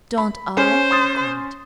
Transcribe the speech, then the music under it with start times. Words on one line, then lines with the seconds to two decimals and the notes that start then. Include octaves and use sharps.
"Don't I?" he growled.
0.18 B5
0.57 C#4 G#4 C5
0.91 C6 D#6 A6